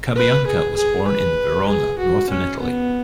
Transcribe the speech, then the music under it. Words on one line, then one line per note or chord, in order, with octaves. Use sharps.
Cabianca was born in Verona, northern Italy.
B4
G#4
G#4
B4
G#4
F#4
C#4
B3